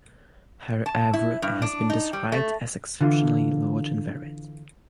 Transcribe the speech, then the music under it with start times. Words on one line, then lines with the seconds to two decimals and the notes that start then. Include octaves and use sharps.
Her "oeuvre" has been described as exceptionally large and varied.
0.86 A5
1.13 E4
1.42 G2
1.62 D4
1.90 D#4
2.13 G3
2.32 A3
3.01 D3 E3 F4